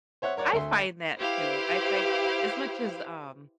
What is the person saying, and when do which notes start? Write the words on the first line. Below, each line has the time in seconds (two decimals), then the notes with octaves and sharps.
I find that too. I find As much as, um,
0.22 C5 C#5 E5 F#5
0.37 A#4 C#5 D5 F#5
0.53 D2 A4 E5 C6
1.19 E4 G4 B4 C5 F5